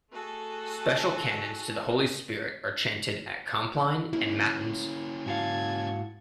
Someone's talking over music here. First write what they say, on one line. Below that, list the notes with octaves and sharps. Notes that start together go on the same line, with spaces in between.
Special canons to the Holy Spirit are chanted at Compline and Matins.
A3 F#4 G#4 A4
A#3 C#4 E4
G#2 F#4 F5 A5 G#6